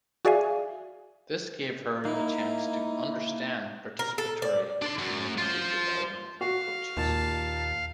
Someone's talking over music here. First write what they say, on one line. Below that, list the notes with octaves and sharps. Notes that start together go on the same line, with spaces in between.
This gave her the chance to understand participatory community development approaches.
F#4 G#4 D5 E5 F5 G#5
A#3 D#4 E4
A#4
A4
D5
D4 C6
F#2
F4 C5
F#4 F5
D#2 A#2 A5